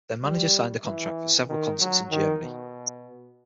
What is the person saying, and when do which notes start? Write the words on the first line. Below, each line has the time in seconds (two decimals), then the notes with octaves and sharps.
Their manager signed a contract for several concerts in Germany.
0.22 G3
0.85 E3
1.48 D#3
1.80 F#3
2.11 D#3
2.42 B2